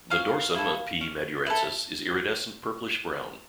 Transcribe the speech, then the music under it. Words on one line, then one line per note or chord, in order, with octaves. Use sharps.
The dorsum of "P. madurensis" is iridescent purplish brown.
C#4 F5
E4 A4
C#4
E4 A4